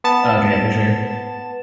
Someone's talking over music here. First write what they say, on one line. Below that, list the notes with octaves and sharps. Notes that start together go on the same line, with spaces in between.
Okay, for sure.
B3 A5 E7